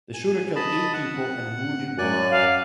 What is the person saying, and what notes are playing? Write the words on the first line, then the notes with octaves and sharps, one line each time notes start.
The shooter killed eight people and wounded one.
G#5
D#5 A5 B5
F#5
F#2 D5 G#5 F#6
F5